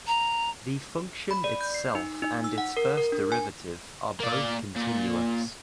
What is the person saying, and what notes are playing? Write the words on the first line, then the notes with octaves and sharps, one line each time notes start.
The function itself and its first derivative are both continuous.
A#5
B5
D5
G6
C7
D#4
D#4
E6
F#5
A#4
A#4
D4
G#5
A#3 D5
A#2